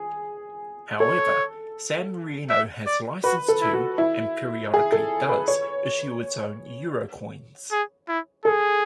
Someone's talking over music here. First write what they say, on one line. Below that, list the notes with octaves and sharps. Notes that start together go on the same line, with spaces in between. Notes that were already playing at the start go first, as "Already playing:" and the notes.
However, San Marino has license to-and periodically does-issue its own euro coins.
Already playing: G#4
A4 C#5
E5
D5
F#4 B4
A4
E4
F#4
E4
G#4
A4
B4
C#5
G#4
E4
G#4 A4